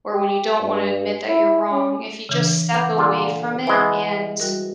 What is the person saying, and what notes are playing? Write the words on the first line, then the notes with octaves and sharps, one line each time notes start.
or when you don't wanna admit that you're wrong, if you just step away from it and
G4
G2
E4
C#4
C#3 E3 D4
B3 D6 G6 G#6
A#2 D3 F4
E3 G#3 B3 B5
G3 F#4 A#4